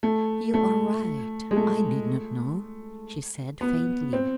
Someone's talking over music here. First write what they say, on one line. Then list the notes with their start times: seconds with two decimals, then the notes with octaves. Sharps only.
"You are right--I did not know," she said faintly.
0.03 A3
0.54 A3
1.51 G#3
1.57 A3
3.61 B3
4.13 C4